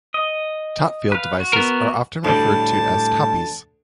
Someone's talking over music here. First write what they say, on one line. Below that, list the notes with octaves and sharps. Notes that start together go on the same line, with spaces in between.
Topfield devices are often referred to as "Toppys".
D#5
B4 F5
F#4
B3 A#4
D2 A2 G3 A5